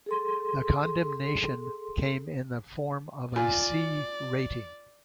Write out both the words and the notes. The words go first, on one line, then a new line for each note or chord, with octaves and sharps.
The condemnation came in the form of a 'C' rating.
G#4 A4 C6
F4 D5 G#5